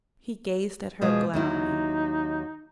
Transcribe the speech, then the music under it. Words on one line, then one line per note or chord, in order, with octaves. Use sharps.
He gazed at her, glowering.
B2 F3 G#3 G#4
D#2 F#3 D#4 E4